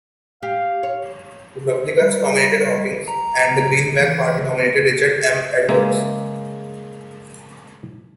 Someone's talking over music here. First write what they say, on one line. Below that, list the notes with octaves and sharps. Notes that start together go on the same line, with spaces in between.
Republicans nominated Hawkins, and the Greenback Party nominated Richard M. Edwards.
G4 F5
C#5
G3
A#5
E3
C#3 G#3 A#3 E5